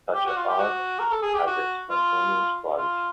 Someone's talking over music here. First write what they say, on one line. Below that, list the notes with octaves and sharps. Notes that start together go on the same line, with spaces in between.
Such art has a spontaneous quality.
G4
F#4
F4
G4
F#4
A#4
A4
G#4
G4
F#4
F4
F4